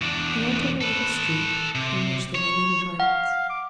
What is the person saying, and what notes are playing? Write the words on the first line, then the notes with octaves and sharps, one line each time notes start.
He entered a little street in which there were many gardens.
E2 D4
A4 B4
C3
C#5
F5 F#5
D6